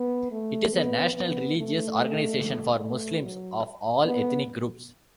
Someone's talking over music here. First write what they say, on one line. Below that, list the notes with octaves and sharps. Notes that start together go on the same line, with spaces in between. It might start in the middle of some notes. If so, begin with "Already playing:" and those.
It is a national religious organization for Muslims of all ethnic groups.
Already playing: B3
A3
B3
B3
A3
A3
F#3
B3